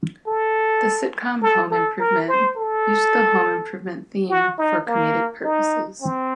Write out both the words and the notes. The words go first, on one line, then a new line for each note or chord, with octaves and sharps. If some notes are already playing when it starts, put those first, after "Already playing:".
The sitcom "Home Improvement" used the home improvement theme for comedic purposes.
A4
A4
A4
A#4
C5
A4
F#4
D#4
A#3
D#4
C4